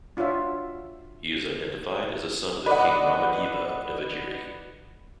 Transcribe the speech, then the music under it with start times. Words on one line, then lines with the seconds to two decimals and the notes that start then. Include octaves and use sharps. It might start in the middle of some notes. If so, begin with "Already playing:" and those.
He is identified as a son of the king Ramadeva of Devagiri.
0.17 D4 F4 F#4 C#5 E5
2.66 B4 D5 D#5 F#5